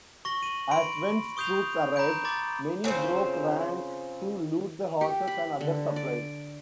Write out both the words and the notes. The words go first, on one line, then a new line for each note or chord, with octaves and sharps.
As Wen's troops arrived, many broke ranks to loot the horses and other supplies.
C#6 A#6 F#7 G7
D#7 F#7
B5 C6 D7 F#7
C#6 D#6 G6 C7 F7
A#5 B5 G6 D7
A#5 C6 D6 A6
C#3 C4 F4 C5
G4
B5
D3
D5